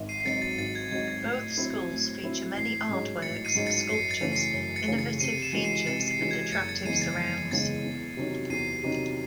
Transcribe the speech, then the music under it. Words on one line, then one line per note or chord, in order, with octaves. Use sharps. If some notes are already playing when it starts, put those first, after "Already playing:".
Both schools feature many artworks, sculptures, innovative features and attractive surrounds.
Already playing: G#1
C7 D#7
C7
G#2 F#3 C4 F#4 A6 C#7
A6
G#1 A6
G#6
G#2 F#3 C4 F#4 G#6
A6
A2
F#3 C4 E4
A2
F#3 C4 E4
A1 C7
G#2 F#3 C#4 G#4
A1 A6 C#7
C7 D#7
G#2 F#3 C#4 G#4
A6 C#7
F#2 C7 D#7
A6 C#7
C#3 E3 A3 C#4
C7
F#2 C7
A6 C#7
C#3 E3 A3 C#4
A6 C#7
C3 C7 D#7
C#7 E7
E3 G#3 C#4 F#4
C7 D#7
C3 A6 C#7
C7
E3 G#3 C#4 F#4
G#6
F#1 A6 C#7
A6 C#7
E2 C#3 E3 G#3 C7 D#7
A6 C#7
F#1 C7
E2 C#3 E3 G#3 A6
E2
C3 D#3 F#3 C#4
E2 C7 D#7
C3 D#3 F#3 C#4